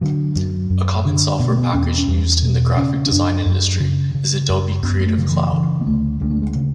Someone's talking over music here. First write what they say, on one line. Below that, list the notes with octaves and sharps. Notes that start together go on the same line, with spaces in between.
A common software package used in the graphic design industry is Adobe Creative Cloud.
D3 F#3
F#2 F#3
F#2
D3
B2 B3
A3
B3
E2 C#4
B3
C#4
E2
B2
C#3 C#4
C#4
F#2 D4
F#2
C#3
C#3
F#2
F#2 B3
B3
A3
C#3 F#3
E3
C#3 E3
B3
D2 A3
D2 G#3
A3
G#3
C#3